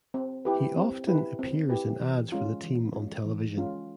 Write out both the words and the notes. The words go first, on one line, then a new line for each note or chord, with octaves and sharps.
He often appears in ads for the team on television.
C4
E4 G4 B4
C4
E4 G4 B4
C4
E4 G4 B4
E3
G#3 C#4 F4
E3
G#3 C#4 F4
E3
G#3 C#4 F4